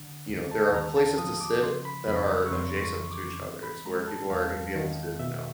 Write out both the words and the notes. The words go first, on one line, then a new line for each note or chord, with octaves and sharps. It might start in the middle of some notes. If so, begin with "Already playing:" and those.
you know, there are places to sit that are adjacent to each other. It's where people are gonna be able to, you know,
Already playing: D3
D#2
A5
D#2 A#5
A5
F3 D#6
D6
C#3 C6
B5
F2 B5
A#5
C#6
F2 C6
C6
C#6
E3
D6
C3
B5
G#3 A#5
A5
E2 F5
D#3
B2 E5